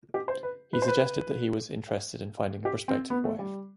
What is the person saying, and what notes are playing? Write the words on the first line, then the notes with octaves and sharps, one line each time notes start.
He suggested that he was interested in finding a prospective wife.
G4
C5
B4
B4
C5
B4
G4
C4
B3
A3
G3